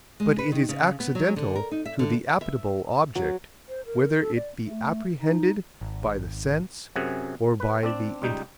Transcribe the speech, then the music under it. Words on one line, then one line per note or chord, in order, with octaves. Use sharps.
But it is accidental to the appetible object whether it be apprehended by the sense or by the intellect.
G#3
B4
D#3
C#3
B3
F#3
D3
A#4
D#4
E5
D3
E5
F#3
C5
A#4
A4
D5
A3
D#4
G#1
F#2 C3 G#4 F#5 G#5
B4
C4 D4 D5
C#2 G3 D#4 G5